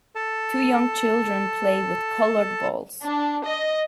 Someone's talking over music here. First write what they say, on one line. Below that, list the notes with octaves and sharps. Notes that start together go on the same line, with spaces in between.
Two young children play with colored balls.
A4 A5
D4
D#5